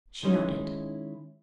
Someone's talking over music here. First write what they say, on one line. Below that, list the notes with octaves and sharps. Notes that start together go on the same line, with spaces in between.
She nodded.
D#3 G#3 C#4 D#4 E4